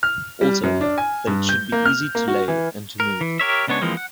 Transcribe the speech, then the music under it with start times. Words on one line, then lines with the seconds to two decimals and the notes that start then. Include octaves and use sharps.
Also that it should be easy to lay and to move.
0.03 F6
0.41 G3
0.63 F#2
0.81 D4
0.98 G#5
1.27 G2
1.49 G6
1.72 A#3
1.86 F6
2.15 A#3
2.28 F#4
2.48 E3
3.00 A#4
3.21 E3
3.39 G4 A#4 C#5 E5
3.68 C#3 G#3 B3 D4 C#5
3.81 E3 F3 G#3 A#3 C4
3.97 F#5